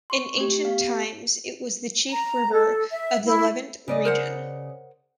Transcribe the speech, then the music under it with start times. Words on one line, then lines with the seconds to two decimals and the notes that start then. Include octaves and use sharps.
In ancient times, it was the chief river of the Levant region.
0.10 C6 C#6
0.37 A3 G4
0.65 B3 G4 F5 B6
2.10 A#5
2.53 A4
2.92 E5
3.26 E4
3.88 C#3 D5 D#5
4.05 A#4 C5 F#5